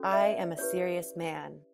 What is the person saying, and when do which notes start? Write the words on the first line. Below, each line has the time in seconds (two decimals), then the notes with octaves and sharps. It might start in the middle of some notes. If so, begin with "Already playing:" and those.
I am a serious man.
Already playing: C#4 F#4 A4
0.13 E5
0.22 D5
0.59 C#4 E4 G4 B4 C#5